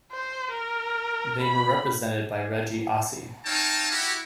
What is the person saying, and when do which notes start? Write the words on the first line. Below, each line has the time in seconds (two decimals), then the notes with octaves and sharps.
They were represented by Reggie Osse.
0.12 C5
0.51 A#4
1.41 B5
3.45 C4 D#4 C#5 F5 G5 A5
3.90 E4 F#4 G4